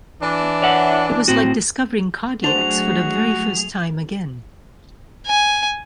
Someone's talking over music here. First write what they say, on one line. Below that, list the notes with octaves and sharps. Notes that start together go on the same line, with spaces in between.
It was like discovering Cardiacs for the very first time again.
E3 D4
C#5 E5 F#5
A2 C4 F#4
F#3 A3 D4 F#4 G#4 C5 F7
G#5